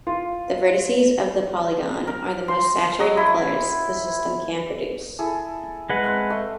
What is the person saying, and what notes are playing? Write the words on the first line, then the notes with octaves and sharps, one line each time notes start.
The vertices of the polygon are the most saturated colors the system can produce.
F4
A#4
C6
F#3 D#5
E4
E4 G#4 A4
G#3 B4 F#5
C4 F5
A3 D#5